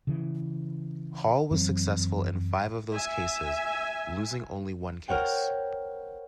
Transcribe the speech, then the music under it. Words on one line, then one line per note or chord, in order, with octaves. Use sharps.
Hall was successful in five of those cases, losing only one case.
C#3 E3
F#2 E3 F#3 C4
E5 G#5
A#4 C5 C#5 F#5 G5